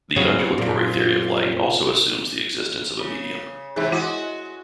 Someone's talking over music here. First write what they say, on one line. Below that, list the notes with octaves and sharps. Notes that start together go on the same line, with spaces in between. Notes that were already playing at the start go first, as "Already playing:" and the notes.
The undulatory theory of light also assumes the existence of a medium.
F#2 C#3 F#3 C4 C#4
A#2
C#3
G#2 C3 E3 G#4 E5
G#3 E4 F#4